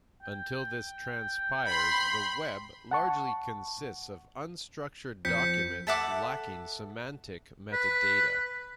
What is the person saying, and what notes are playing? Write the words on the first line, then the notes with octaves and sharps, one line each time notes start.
Until this transpires, the web largely consists of unstructured documents lacking semantic metadata.
G5
B5 C6
F#5 A5 C#6
F2 G6 B6 C#7
A4 E5 F#5 D6
B4